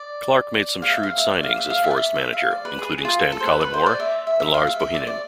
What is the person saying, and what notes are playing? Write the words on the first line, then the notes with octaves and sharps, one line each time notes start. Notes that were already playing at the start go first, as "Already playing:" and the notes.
Clark made some shrewd signings as Forest manager, including Stan Collymore and Lars Bohinen.
Already playing: D5
F5
E5
F5
E5
D5
F5
E5
F5
E5
D5
E5
E5
F5
D5
B4
G#4
G#4
F4
A4
A4
C5
B4
B4
C5
D5
E5
E5
E5
F5
E5
E5
D5
D5